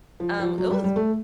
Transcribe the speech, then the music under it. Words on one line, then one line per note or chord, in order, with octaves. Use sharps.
Um, it was
F3
F3
F#3
G3
G3
A3